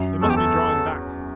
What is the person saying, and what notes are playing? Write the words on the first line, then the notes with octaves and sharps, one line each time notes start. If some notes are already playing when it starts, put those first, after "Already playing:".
They must be drawing back.
Already playing: F#2
E2 A4
G4
A4